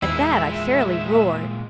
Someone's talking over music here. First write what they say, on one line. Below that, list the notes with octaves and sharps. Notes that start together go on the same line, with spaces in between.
At that I fairly roared.
E2 A#2 G#3 E4 E5